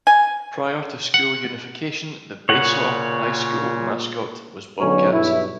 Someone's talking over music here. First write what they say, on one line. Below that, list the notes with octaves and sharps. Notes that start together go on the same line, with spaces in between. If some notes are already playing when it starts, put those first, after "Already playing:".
Prior to school unification, the Basehor High School mascot was Bobcats.
G#5
F#5
A#2 C#3 C#5 F#5
B1 D3 F#3 C#4
B1 G2 E4